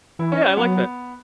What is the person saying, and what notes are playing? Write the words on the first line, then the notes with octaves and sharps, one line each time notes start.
Yeah, I like that.
E3 E4
C#4
C#4
F#3 B3